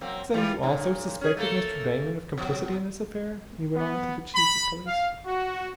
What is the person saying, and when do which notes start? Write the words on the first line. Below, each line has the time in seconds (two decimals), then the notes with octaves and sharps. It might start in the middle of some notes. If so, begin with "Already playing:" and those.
"You say you also suspect Mr. Damon of complicity in this affair?" he went on, to the chief of police.
0.01 F#3 A#3 C4
0.34 E3 G3 F4
0.63 G2 A#2 C#3
1.21 C#4 G#4
1.37 A3 A#3 A4
2.38 B2 F#3
3.76 B3
4.35 B5
4.86 F5
5.26 F#4